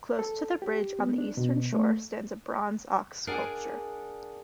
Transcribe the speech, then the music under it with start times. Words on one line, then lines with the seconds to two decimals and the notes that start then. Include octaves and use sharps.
Close to the bridge on the eastern shore stands a bronze ox sculpture.
0.19 A4
0.62 G4
0.99 B3
1.18 D4
1.37 B2
1.73 A3
3.27 D4 G#4 A#4 D5 F#5 G#5